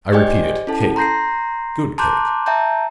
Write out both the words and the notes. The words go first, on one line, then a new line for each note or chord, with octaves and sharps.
I repeat it, cake--good cake.
G4 C5 D5 D#5 G5 G#5
C#4 E4 A4 A5
A#5 C6 G6 A#6 C7
A5 A#5 C6 D6 F#6 G6
E5 G5 A5 A#5 G6